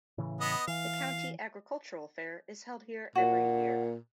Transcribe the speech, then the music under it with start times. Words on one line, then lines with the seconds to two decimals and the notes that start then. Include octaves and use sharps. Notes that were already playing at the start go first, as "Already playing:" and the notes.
The county agricultural fair is held here every year.
0.18 A2 C#3 E3
0.41 B3 D#5
0.68 E3 F5
3.15 A#2 F#4